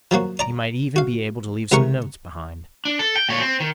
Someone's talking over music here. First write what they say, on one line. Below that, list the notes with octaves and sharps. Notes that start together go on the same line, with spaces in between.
He might even be able to leave some notes behind.
F3 F#3 A#3 F#4
D5 A#5 D6
F#4 F5
C#2 C3 E3 A#4 F#5 C#6
D4
A4
G5
A#2 C#5
C4
D#3